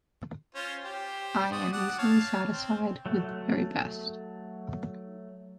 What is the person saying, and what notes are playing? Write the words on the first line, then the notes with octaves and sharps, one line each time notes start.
I am easily satisfied with the very best.
C#4 F4 C5
G4 C5
F#4 D5 D#6
D4 F#5
C#5 F5 A5
C4
F#3 A3